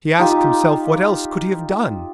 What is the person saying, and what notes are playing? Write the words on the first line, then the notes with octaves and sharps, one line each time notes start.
He asked himself what else could he have done.
D#4 F4 G4